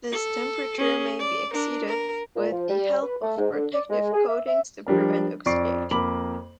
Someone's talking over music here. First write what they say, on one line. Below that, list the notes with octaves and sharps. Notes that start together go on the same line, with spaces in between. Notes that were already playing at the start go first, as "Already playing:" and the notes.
This temperature may be exceeded with the help of protective coatings to prevent oxidation.
A4
C#4 G#4
D5
D4 A#4
A#4
A#2
F3
G3
B4
A3
G#2
D3
D5
G#3
G#4
E5
E5
F3 G3 D4 A#4
F2 D5 C#6 C7 D7
F2 A#3 B5 D6 F#7